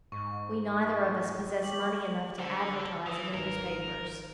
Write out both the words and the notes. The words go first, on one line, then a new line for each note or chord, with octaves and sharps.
We neither of us possessed money enough to advertise in the newspapers.
G#2 C#6
G4 F#7
D3 A4 C5
E3 D#6
G#1 A#4 B4 E7